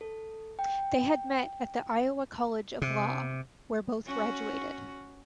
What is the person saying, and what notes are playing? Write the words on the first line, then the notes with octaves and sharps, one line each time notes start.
They had met at the Iowa College of Law, where both graduated.
A4
G5
C3
C#4 F#4